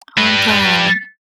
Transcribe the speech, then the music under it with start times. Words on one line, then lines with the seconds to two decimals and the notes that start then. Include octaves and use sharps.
Oh, I'm glad.
0.18 G3 B4